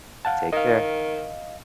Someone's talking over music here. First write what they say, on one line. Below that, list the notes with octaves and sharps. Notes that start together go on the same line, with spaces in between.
Take care.
F5 F#5 A5
D#3 D#5 F5